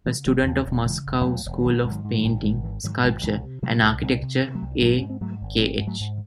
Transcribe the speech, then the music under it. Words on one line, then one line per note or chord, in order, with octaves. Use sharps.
A student of Moscow School of Painting, Sculpture and Architecture A. Kh.
C#3 E3 G#3
E1 D#3 F#3
D#2 D#3
E1
A3
C#3 E3 G#3
E1
D#2 F#3 A3
E1
E3
G#1 D#3 F#3
G#2
D#3 F#3
G#2
D#3 F#3
G#1
G#1 D#3
G#2 E3
G#2 D#3 F#3
G#1 E3 G#3
C2 E3 G#3
C3
C3 F#3 A3
C2
C2 G#3 C4
C3
C3
F#3 A3
C2
G#1 F#3 A3
G#2 C#4
C4
G#2 F#3 A3
G#1
G#1 G#3 C4
G#2
F#3 A3
G#2